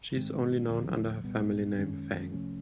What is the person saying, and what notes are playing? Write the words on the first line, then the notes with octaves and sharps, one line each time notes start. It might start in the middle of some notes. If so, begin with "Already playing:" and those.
She is only known under her family name Fang.
G#2 D#3 G#3 C4
D#2 D3 F3
C2 A#2 G3 B3
F#2 D#3 G#3 C#4
C2 C3 F3 A3 C#4